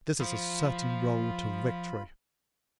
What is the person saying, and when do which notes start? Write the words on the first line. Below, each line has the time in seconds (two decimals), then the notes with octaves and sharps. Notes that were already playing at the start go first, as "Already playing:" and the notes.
This is a certain road to victory.
0.20 F3 F4 C5 B5